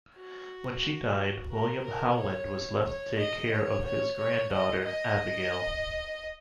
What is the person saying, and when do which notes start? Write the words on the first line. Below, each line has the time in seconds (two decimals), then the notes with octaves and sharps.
When she died, William Howland was left to take care of his granddaughter Abigail.
0.16 F#4
1.51 A#4
1.84 A#4
2.18 C#5
2.85 C#5
3.18 D#5
3.51 C#5
3.84 C#5
4.18 C#5
4.51 D#5
4.85 D#5